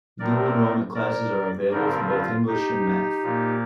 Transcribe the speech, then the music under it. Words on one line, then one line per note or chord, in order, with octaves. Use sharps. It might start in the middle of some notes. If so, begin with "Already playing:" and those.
Dual Enrollment classes are available for both English and Math.
A2 A3 C4 A#4 D5
A#4 D5
G2 D3 F3 C4 A#4 D5
F4
D#4 G4
A#2 F3 A#3